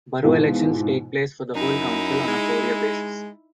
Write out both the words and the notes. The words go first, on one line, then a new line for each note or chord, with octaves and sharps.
Borough elections take place for the whole council on a four-year basis.
G#2 B2 E3 F4
F#2 D#4 E4
G#3